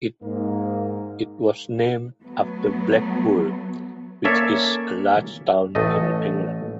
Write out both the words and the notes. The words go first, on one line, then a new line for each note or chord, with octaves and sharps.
It was named after Blackpool, which is a large town in England.
G#2 A#3
F#3 A3 B3
A#3 C#4 A4 C#5 D5 E5
A1 A3 D#5